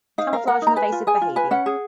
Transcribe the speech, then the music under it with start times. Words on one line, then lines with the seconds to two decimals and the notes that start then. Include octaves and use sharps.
Camouflage and Evasive Behaviour.
0.18 D#4 F5
0.33 A#4 F5
0.47 A#4 F#5
0.62 D#4 A#5
0.76 B4 G#5
0.92 F4
1.07 G#4 G#5
1.21 F4
1.36 B4 G#5
1.51 C#4 F#5
1.66 G#4